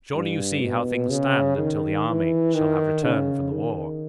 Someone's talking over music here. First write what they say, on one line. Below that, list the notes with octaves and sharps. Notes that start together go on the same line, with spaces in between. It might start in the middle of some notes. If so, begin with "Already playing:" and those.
Surely you see how things stand until the army shall have returned from the war?
G2
B2
C#3
D#3
E3
D#3
C#3
D#3